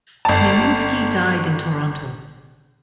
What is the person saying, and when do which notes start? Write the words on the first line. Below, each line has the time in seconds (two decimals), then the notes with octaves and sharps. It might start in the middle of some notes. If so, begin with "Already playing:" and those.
Nieminski died in Toronto.
0.25 G1 A5